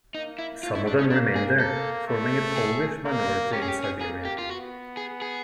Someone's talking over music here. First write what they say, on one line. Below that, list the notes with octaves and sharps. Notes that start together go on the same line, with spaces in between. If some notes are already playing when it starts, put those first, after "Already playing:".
Some of them remained there, forming a Polish minority in Siberia.
A#3 D#4
E4
A3 F4
E4
D4
C#4
A#3 D4
G#4
A#3 A4
A3
G#4
A#3
C#4 G4
G#4
G4
G#4
A#3 G#4
G4
F4
B3 F#4
G#4
G#4